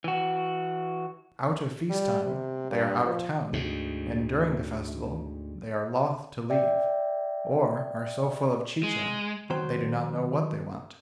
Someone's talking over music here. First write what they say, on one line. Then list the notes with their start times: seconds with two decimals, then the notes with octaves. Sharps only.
Out of feast-time they are out of town, and during the festival they are loth to leave, or are so full of chicha they do not know what they want.
0.04 E3 F#4
1.90 G3
2.24 C3
2.70 G2
3.04 F3
3.53 D2 G#2
6.50 D5 E5 G5
8.83 G#3
9.50 D#3 F#3 C5 G5